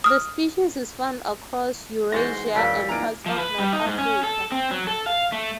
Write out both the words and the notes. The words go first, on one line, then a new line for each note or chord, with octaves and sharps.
This species is found across Eurasia and parts of North Africa.
D#6 F6
G#2 E3 F#4 C6 G6 A6 A#6
F2 F#3 A4 A#4 D5 F5 G5 B6
E3 F3 A#3 D4 D#4 A#5 D7
F3
B4
G3
D#4
G#2
C#4
A4
C4
F#3
A4
F5
A3